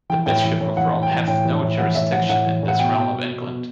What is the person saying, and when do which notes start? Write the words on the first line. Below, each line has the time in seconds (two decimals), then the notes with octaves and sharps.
The Bishop of Rome hath no jurisdiction in this Realm of England.
0.10 E3 G5
0.26 A2 G5
0.44 E3
0.61 A2
0.77 E3 F#5
0.94 A2
1.03 G5
1.11 E3
1.28 A2 G5
1.45 E3
1.62 A2
1.78 E3 F#5
1.95 A2 E5
2.12 E3 F#5
2.29 A2 F#5
2.46 E3
2.63 A2
2.68 F#5
2.79 B2 G5
2.96 B2
3.13 B2
3.30 B2
3.47 B2